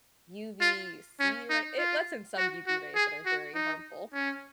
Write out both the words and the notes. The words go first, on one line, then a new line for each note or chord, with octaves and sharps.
UVC ray it lets in some UV rays that are very harmful,
F4
C#4
D#4
F4
F#4
F#4
G#4
F#4
D#4
C#4